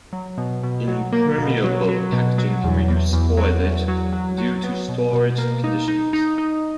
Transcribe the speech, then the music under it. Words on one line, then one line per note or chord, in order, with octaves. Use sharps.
Impermeable packaging can reduce spoilage due to storage conditions.
F#3
B2
B2
F#3
A#3
B2
F#3
F#3
B2
F#3
E2
E2
E2
F#3
E2
F#3
F#3
F#3
B3
B2
B2
A#3
D#4
D#4
D#4
D#4